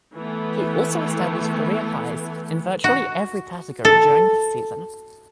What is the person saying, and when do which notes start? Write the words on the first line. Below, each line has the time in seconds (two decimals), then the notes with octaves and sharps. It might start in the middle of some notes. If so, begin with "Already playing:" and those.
He also established career highs in virtually every category during this season.
0.14 E3 A3 B3
2.84 F#4
3.85 A4